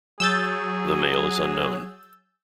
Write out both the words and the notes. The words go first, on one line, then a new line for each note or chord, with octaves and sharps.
The male is unknown.
F#3 G#4 E6 G6 A6